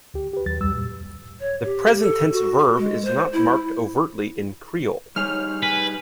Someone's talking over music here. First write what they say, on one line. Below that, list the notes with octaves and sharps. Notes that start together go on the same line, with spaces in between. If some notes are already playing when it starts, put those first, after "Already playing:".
The present tense verb is not marked overtly in Kriol.
D2 G4
G4 B4
D#2 F#3 A6
C2 F2 G3 E6
A#2
C#5
G4
A4
F#4
G#3
C5
E4
G3 D#4 G#4 C#5 F6
B4 G#5